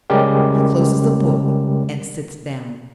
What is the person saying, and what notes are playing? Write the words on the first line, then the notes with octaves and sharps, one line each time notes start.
He closes the Book and sits down.
C#3 G3 G#3 C#4 G4 A#4